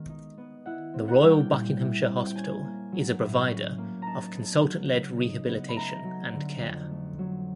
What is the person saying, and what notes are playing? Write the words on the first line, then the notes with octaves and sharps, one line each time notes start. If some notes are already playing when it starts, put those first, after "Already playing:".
The Royal Buckinghamshire Hospital is a provider of Consultant-led rehabilitation and care.
Already playing: D#3 G#3 B3
D#4
B3
E4 F#5
C4
F#5
G3
G5
A#2 G5
E4
C4
G5
C#4 G#5
A#3
F#3
A2
C#4
A#3
D#4 A5 A#5
B3
F#3
C#3
D#4
B3
B5
A3 A#5
F#3
D3
F2
A3
F#3